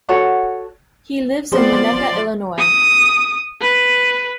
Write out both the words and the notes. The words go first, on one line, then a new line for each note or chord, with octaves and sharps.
He lives in Winnetka, Illinois.
F#4 A4 C#5 F#5
F3 B3 C4 G4 D5 C6
D#6
B4